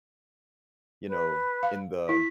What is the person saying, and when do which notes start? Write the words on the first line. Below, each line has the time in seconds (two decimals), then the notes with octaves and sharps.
you know, in the
1.07 B4
1.63 F5
2.09 E4 B6